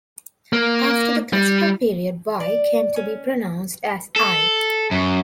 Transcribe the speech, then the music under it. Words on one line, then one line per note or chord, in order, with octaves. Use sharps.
After the Classical period "y" came to be pronounced as "i".
A#3
G3
D5
C#4
A4
F#2